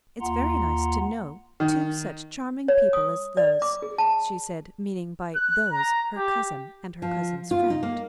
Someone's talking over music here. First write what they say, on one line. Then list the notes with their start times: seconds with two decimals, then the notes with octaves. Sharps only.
"It's very nice to know two such charming people as those," she said, meaning by "those" her cousin and her cousin's friend.
0.21 D#2 A#3 F4 F#5 A#5 C6
1.60 D#3
2.68 C#5
2.93 D#6
3.37 D5
3.62 D6
3.82 G#4
3.98 A5
5.36 F#6
5.72 A#5
6.17 G4
7.02 F3
7.51 F4
7.70 D#4
7.83 A#3